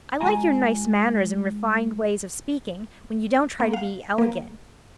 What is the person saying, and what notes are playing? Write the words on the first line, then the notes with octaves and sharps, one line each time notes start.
I like your nice manners and refined ways of speaking, when you don't try to be elegant.
G#3 F4 G#5 A#5
A#3
F5
A#3